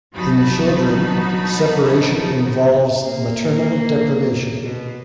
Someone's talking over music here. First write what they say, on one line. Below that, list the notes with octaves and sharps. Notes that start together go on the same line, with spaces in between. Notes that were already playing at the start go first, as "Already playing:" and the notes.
In children, separation involves maternal deprivation.
G1 F#3 D#4 F#4 A5 B5
A#3
B2